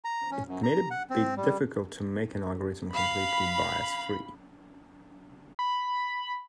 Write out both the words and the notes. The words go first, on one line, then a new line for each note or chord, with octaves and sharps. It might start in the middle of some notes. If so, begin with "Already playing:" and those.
It may be difficult to make an algorithm completely bias-free.
A#5
C#4
F#2
A#5
F#5
C4
G3
F5 B5
B5